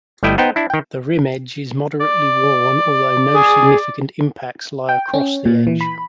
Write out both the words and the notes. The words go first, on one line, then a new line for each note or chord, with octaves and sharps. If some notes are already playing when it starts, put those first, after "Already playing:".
The rim edge is moderately worn, although no significant impacts lie across the edge.
G1 G3 A3 E4 D#5 G5
B3 D#4 C5 G5
D4 E4
D#3 G5
D5
G#4
G5
C#4
A#2
E3
B5